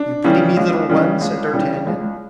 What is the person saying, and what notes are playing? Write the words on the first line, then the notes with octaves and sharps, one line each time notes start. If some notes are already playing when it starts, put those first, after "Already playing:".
"You pity me, little one?" said d'Artagnan.
Already playing: D4
C#3 E3 G3
C#2
C#3 E3 G3
C#2
C#3 E3 G3
C#2